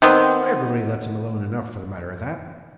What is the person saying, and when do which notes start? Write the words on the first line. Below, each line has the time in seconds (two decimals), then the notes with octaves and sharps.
'Why everybody lets him alone enough, for the matter of that.
0.02 D#3 B3 C4